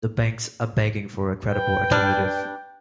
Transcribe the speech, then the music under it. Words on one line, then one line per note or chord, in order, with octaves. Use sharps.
The banks are begging for a credible alternative.
B4 G5
G3 D4